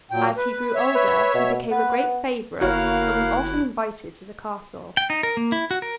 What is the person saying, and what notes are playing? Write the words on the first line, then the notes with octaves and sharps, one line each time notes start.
As he grew older he became a great favorite and was often invited to the castle.
A#2 F#3 G5
B4
C#5 E5
B4
B2
B3 B4
G1 A#3 E4 F#4 C#5 F5 F#6
G5
D#4
A#4
A#3
E4
F#4
A#4